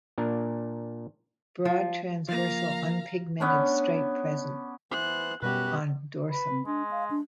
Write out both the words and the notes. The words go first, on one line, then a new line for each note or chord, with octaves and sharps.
Broad transversal unpigmented stripe present on dorsum.
A#2 D4 A#4
F3
F3 A#3 F5 A#5
B3 C#4 D4
E3 B3 C5 F#6
F#2 B2 G3 B3 F#4 G4 B4 F#6
B4
C4
G#3 D4
F5
D4